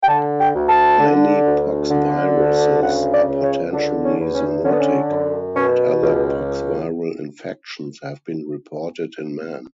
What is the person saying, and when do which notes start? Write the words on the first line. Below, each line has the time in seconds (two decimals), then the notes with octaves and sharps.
Many poxviruses are potentially zoonotic, and other poxviral infections have been reported in man.
0.03 G5
0.08 D3 A5
0.40 G5
0.55 D2
0.69 A5
0.99 D3
1.46 D2
1.91 D3
2.37 D2
2.82 C#3 F#5
3.13 D5
3.28 C#2
3.44 C#5
3.73 D3 D4
4.04 C#4
4.19 E2
4.35 C#4
4.65 D3 C#4
4.72 B3
4.80 C#4
5.11 F#2
5.55 B2 C#4
6.01 C#2